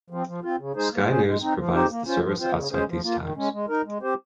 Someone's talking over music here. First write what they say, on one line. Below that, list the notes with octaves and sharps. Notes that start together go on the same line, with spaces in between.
Sky news provides the service outside these times.
F3 C4
F3
C4 F4
C#3
G#3 D#4 G#4 C5
A#3
C#4 G#4 C5
G#3
C4 D#4
F3
C4 D#4 G4 C5
A#3
C#4 F4 C5
F3
C4 F4 C5
C#3
G#3 C#4 G#4 C5
F3
A#3 F4
D#3
G#3 C#4
G#3
D#4 A#4
G#3
C4 G4 C5